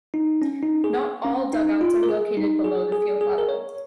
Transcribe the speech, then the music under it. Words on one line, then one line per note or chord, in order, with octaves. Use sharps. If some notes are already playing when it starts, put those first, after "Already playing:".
Not all dugouts are located below the field level.
D#4
C#4
D#4
G#4
C#4
D#4
F4
A#4
G#4
D#4
G#4
G#4
G#4
A#4
C#5